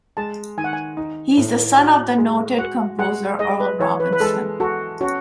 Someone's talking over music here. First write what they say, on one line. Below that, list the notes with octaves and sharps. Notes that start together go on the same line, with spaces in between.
He is the son of the noted composer Earl Robinson.
G#3 A5
D#3 G#5
F#5
G#5
D#4
A2
F#4
G#3
F#4 F#5
G#3 F#5
G#3 D#5
B4
E3 C#5
B4
B4
G#3 A4
F#4 A4
C#4 F#4